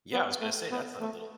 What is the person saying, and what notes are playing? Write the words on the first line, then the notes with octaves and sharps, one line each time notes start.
Yeah, I was gonna say that's not a little thing.
B3
A3
B3
A3